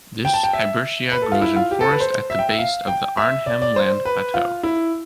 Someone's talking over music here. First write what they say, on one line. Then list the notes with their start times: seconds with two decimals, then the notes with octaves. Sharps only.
This hibbertia grows in forest at the base of the Arnhem Land Plateau.
0.25 G5
0.33 A5
0.43 G5
0.53 E5
1.12 B4
1.22 A4
1.32 F4
1.42 E4
1.56 F4
1.71 G4
1.81 A4
1.91 B4
2.00 C5
2.30 E5
2.39 G5
2.49 E5
2.59 F5
2.88 G5
3.17 E5
3.46 D5
3.62 D5
3.76 C5
4.05 B4
4.34 F4
4.63 E4